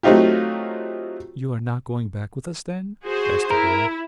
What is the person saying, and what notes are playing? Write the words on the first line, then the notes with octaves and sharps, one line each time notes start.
"You are not going back with us, then?" asked the girl.
F#3 A3 C4 D#4 F4 G4
F#4 G#4 C5
E4 A#4